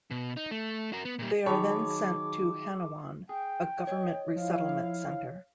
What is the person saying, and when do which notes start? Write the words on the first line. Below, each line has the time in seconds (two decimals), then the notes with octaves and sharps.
They are then sent to Hanawon, a government resettlement center.
0.11 B2
0.37 D#4
0.51 A3
0.93 F#4 A#4
1.05 B3
1.19 A#2 G3
1.46 D#3 F#3 G#4 C#5 A5 B5 D6
3.29 G#4 G5
3.87 C#5 D#5
4.36 F3 E4 F5